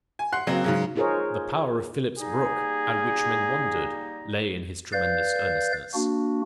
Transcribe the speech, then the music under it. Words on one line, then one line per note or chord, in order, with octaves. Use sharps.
The power of Phillips Brooks, at which men wondered, lay in his tremendous earnestness.
G#5
F#5 C6 F#6 C7
C#3 F#3 A#3 C4
G#2 C#3 F#3
D#4 F4 G#4 A#4 C5 C#5
G3 A#3 D#4 G#4
B4 D5 F5 G6
A#3 D4 F#4